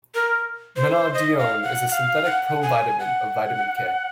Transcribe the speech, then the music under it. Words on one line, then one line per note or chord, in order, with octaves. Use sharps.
Menadione is a synthetic provitamin of vitamin K.
A#4
C5
D#5
F5
F#5
F#5
F5
F#5
G#5
F#5